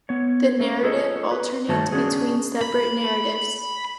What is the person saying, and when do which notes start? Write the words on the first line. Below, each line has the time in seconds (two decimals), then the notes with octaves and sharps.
The narrative alternates between separate narratives.
0.09 B3 C#5
0.60 A3 C#4
0.83 F4 G#4 A4 C#5 D#5
1.31 B4
1.68 G2 D#3 A3 F#4 C#5 A5
1.92 C#4 D4 F#4 G#4
2.61 B5